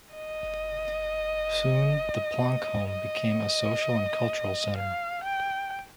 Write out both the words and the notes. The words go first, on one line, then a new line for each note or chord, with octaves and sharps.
Soon the Planck home became a social and cultural center.
D#5
D#5
F5
G5